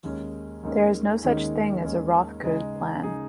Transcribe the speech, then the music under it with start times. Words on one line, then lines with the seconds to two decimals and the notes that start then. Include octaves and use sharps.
There is no such thing as a "Roth Keogh Plan".
0.03 D#2 D#3 G#3 C#4
0.63 D#2 D#3 G#3 C#4
1.24 D#2 D#3 G#3 C#4
1.83 D#2 D#3 G#3 C#4
2.43 C#3 G#3 D#4 G#4
3.03 C#3 G#3 D#4 G#4